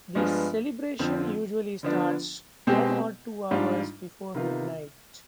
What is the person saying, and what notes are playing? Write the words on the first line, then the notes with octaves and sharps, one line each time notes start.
The celebration usually starts one or two hours before midnight.
G2 F3 G#3 B3 D4
F2 D3 F3 C4
D3 F3 B3 D4
B2 G#3 C4 G4
G#2 G3 D4 F4
C3 D#3 B3 F4